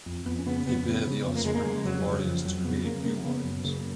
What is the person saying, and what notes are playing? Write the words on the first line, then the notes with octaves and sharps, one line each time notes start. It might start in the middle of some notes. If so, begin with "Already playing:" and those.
They bear the offspring of the warriors to create new warriors.
F2
F2 B3
C#4
C#3 B3
F2 B3
C#3 B3
C#3
F2 B3
A#3
C#3 G#3
A#3
C#3 G#3
F2 F#3
C#3
F2 F3
F2 F#3
C#3 B3
C#3 A#3
C#3 A#3
C#3 B3
F#2
C#3 A#3